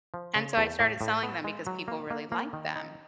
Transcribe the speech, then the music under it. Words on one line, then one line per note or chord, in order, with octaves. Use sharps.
and so I started selling them because people really liked them.
F3
C#3
E2
A2
A2
B3
G#3
F#3
A#3
A#3
A#3
D#3
D#4